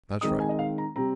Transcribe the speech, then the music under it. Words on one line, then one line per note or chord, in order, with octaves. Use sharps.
That's right.
D#3 G#3 C4 D#4 D#6
G#5
D#5
F5
A#5
C3 G3 C4 A#5